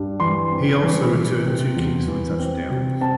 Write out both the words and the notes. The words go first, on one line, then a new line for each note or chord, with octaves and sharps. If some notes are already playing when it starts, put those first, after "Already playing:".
He also returned two kicks for touchdowns.
Already playing: G2
E3 C6
C4
E3
E3
C3
E2
E3
C4
C3
C4 A5